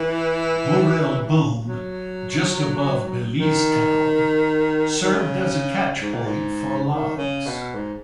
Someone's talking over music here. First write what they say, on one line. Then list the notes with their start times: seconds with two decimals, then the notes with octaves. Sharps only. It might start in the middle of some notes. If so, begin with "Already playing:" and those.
Burrell Boom just above Belize Town served as a catch-point for logs.
Already playing: E3
1.65 F#3
3.39 D#3
5.04 D#3
5.14 C#3
6.01 G#2
6.13 A#2
6.26 G#2
6.88 D#3
7.17 C#3
7.46 B2
7.75 G#2